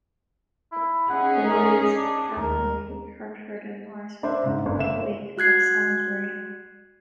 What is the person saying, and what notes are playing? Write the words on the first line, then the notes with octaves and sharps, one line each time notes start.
The Royalist cavalry, Hertford and Maurice with them, rode away towards Salisbury.
E4
C#4 D#4 G#4 F#5
A#4
D4
D#2 A#4
D4 C5 E5
G#2 C#3
G1
C#3 E5 E7
F#4 F#6 G#6 C7